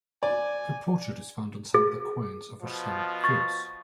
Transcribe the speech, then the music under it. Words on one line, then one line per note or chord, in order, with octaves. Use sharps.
Her portrait is found on some of the coins of her son Pyrrhus.
D5 G#5
G#4
B2 F3
C#6 A6